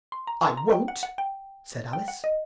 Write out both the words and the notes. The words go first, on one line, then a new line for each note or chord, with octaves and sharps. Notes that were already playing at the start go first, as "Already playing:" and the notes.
'I won't!' said Alice.
C6
A#5
C6
A#5
G5
F#5
F#5
G5
G5
F#5
D#5